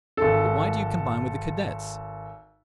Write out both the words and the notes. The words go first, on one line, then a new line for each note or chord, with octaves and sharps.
"But why do you combine with the Cadets?"
G#1 A4